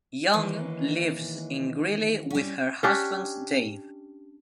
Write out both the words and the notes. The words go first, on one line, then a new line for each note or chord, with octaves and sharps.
Young lives in Greeley with her husband Dave.
D#2 D#3 E3 G#3
G3 C#4
C#4 D4 G4